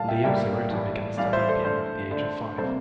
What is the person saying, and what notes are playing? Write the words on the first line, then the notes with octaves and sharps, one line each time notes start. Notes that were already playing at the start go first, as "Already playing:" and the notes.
Leo Sirota began studying piano at the age of five.
Already playing: A2 G3 A#3 F5 A5
E5 G5
A2 G3 A#3 E5 G5
A2 E3 G3
A2 E3 G3 D5 F5
C5 E5
A4 C5
D3 A3 A4 C5
D3 A3
C3 G3 A#3 A4 C5